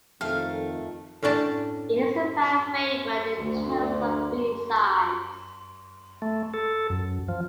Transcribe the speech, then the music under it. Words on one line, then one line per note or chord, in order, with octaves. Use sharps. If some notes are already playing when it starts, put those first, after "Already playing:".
It is a fan-favourite in terms of B-sides.
F2 D#3 A3 A4 F5 G5
A2 C#4 D4 D5 A5
D2
A3
A4
F#2
F3